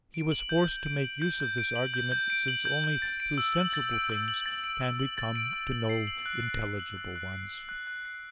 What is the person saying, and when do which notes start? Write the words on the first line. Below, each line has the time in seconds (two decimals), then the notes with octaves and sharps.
He was forced to make use of this argument, since only through sensible things can we come to know intelligible ones.
0.14 D7
0.32 F#7
0.49 G6
0.68 G6
0.86 D7
1.04 F#7
1.22 G6
1.40 G6
1.58 D7
1.76 F#7
1.94 G6
2.12 G6
2.30 D7
2.48 F#7
2.65 G6
2.84 G6
3.02 A6
3.20 D7
3.38 E6
3.56 F#7
3.74 A6
3.92 D7
4.10 E6
4.28 F#7
4.46 A6
4.64 D7
4.81 E6
4.99 F#7
5.18 A6
5.35 D7
5.53 E6
5.72 F#7
5.89 C7
6.07 F#7
6.26 F#6
6.44 F#6
6.62 C7
6.79 F#7
6.97 F#6
7.16 F#6
7.34 C7
7.51 F#7
7.69 F#6
7.87 F#6
8.05 C7